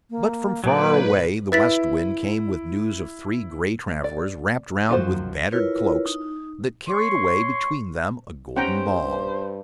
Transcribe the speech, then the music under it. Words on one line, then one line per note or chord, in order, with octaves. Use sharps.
But from far away the West Wind came with news of three grey travellers wrapt round with battered cloaks that carried away between them a golden ball.
A#3
A#2 F#3 A#3 D#4 B4 D5
E4 B4 A6 B6
D5
F#2 D#3 F3 F4 F#4 C5
E4 F4 A#4 B4 C#5
D#4
C#5 C6 C#6
B3 C#4 D#4 G4 C5 F#5 G5 A#5
G2